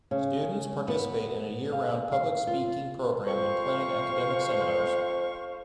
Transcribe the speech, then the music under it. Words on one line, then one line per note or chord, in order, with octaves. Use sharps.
Students participate in a year-round public speaking program and plan academic seminars.
C#3
B3
F5
F5
F4
F2 C5 F5 C#6